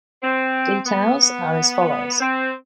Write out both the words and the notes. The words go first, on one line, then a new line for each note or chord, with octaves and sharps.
Details are as follows.
C4
B3
C4